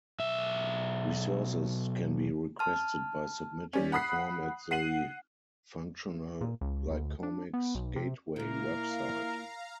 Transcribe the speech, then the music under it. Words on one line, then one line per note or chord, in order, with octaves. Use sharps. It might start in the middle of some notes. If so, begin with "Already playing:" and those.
Resources can be requested by submitting a form at the Functional Glycomics Gateway website.
B1 E5
A5 F6
G3 C#4
F#5 B5 D#6 F#6 C7
F#5 C7 D#7 F#7
A#2
C#2
D2
D4
B3
B1
C3
A#2 A#3 E4 A#4 F5 A#5